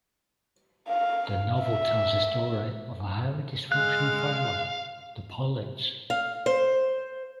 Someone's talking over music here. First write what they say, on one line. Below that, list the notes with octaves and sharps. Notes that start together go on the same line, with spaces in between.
The novel tells the story of a highly dysfunctional family, the Pollits.
F5
E5
G#3 F5 F6 F#6
F5
C5